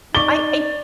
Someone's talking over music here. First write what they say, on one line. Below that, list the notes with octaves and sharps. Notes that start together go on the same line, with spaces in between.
I I
D#4 D5 C#6 D6 A6 G7